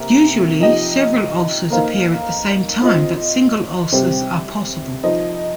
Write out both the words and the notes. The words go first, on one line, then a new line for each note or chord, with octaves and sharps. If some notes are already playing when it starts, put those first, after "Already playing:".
Usually several ulcers appear at the same time, but single ulcers are possible.
Already playing: C3 A#3
F3 D#4 G4 D#5
A#3 D#4 C5 F5
C4 F4 D#5
C3 G3 C4 G4 C5
F3 D#4 C5 D#5